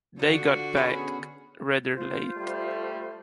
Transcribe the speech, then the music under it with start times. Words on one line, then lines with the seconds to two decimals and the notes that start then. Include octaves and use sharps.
They got back rather late.
0.19 D3 F3 F#4
0.77 B3 C#4 G#4
1.95 F4 C5 G6
2.37 G3 A3